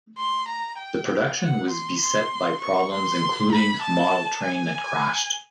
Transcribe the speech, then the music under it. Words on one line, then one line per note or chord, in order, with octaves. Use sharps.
The production was beset by problems including a model train that crashed.
C6
A#5
G5
F#5
C6
C6
C#6
C6
B5
A5
G#5